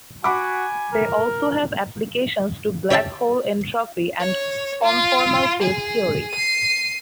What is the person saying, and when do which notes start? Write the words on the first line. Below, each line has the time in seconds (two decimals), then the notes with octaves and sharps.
They also have applications to black hole entropy and conformal field theory.
0.24 F#4 F#5 G#5 B5 D6
0.93 A#4
2.91 C#4 G4 E5 G5 A5
4.20 C#5
4.83 F4
5.61 G#4
6.31 C7 D#7